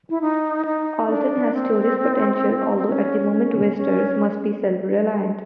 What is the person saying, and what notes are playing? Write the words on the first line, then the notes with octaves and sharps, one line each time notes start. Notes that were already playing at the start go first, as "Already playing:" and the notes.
Alton has tourist potential, although at the moment visitors must be self-reliant.
E4
D#4
D#4
D4
C4
C4
C#4
C#4
C#4